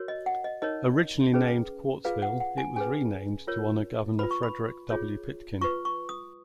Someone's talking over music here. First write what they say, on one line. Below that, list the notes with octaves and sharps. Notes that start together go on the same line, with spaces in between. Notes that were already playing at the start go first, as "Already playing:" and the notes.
Originally named Quartzville, it was renamed to honor Governor Frederick W. Pitkin.
Already playing: F#4 A#4 C#5
D#5
F#5
D#5
D#4 A#4 C#5 D#5
C#4 G#4 B4
F4 G#4 B4 F5
F#5
F#5
G#5
C#4 G#4 B4 G#5
F4 A#4 C#5
F4 B4 B5
C#6
B5
F4 G#4 C#5
F4 B4 C#6
C#6
D#6